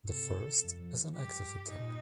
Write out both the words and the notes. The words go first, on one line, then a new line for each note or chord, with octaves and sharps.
The first is an active attack.
C3 A4
F2
G2 G4
A#2 D#4